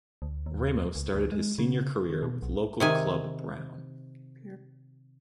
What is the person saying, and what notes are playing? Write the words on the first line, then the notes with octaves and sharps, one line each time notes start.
Ramos started his senior career with local club Brown.
D2
D#2
C#2
D2
G#3
C#3
D#3
B2
B1
C3 D#3 G#5